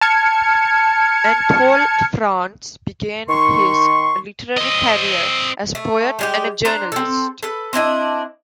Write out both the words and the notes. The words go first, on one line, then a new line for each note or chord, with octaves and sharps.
Anatole France began his literary career as a poet and a journalist.
A5 F6 G#6 C#7
D#3 C6 C#6
C4 D#5
A3
G3 G#3 G4
D4 C5 A#5
C4 A4
A4 B4
C4 D4 E4 D#5